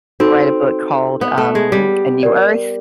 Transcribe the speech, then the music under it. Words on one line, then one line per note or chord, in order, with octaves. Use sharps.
write a book called, um, A New Earth,
C4 D#4 F#4 A4
B3
A3
G#3
G3
G4 A#4 D5